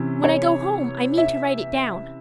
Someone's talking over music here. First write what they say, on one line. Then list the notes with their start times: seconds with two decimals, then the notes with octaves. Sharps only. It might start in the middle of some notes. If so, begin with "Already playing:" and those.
When I go home I mean to write it down.
Already playing: C3 E3 C#4
0.24 C#5
1.18 E5